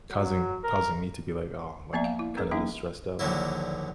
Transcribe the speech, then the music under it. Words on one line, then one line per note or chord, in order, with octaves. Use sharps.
causing causing me to be, like, "Oh," like, kinda just stressed out.
F#3
A#4
F3 A#3 B3 D5 E5 A#5
F5
E4
C#4 G#4 A#4 B4
F#3 A#3 C#4 D#4 E4 F5
A#1 D#2 D3 F#3 E4